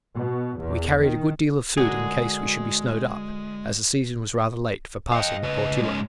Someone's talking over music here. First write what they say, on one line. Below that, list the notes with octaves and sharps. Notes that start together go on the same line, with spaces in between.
We carried a good deal of food in case we should be snowed up, as the season was rather late for passing the Portillo.
B2
E2
D#3
D3 G#3 F#4 G#4 A#4
D#5 F5 G5
C#3 B4
G#2 C#4